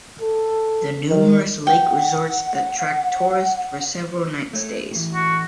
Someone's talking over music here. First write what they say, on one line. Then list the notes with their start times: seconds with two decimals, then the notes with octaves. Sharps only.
The numerous lake resorts attract tourists for several-night stays.
0.21 A4
1.09 D#3
1.67 F#5 G5
4.53 A3 C#5
4.91 A2 E3
5.15 F#4